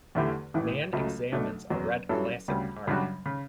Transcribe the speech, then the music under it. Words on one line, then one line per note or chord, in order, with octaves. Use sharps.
Man examines a red classic car.
E2 D3 A3 E4 G4
A1 A2 E3
C#2 C#3 F#3 A3
B1 B2 A3 D4
F#1 E2 B2 F#3
G2 F#3 C#4 E4 A4
D2 C#3 G3
F#2 C#3 G3 D4 F#4
C#3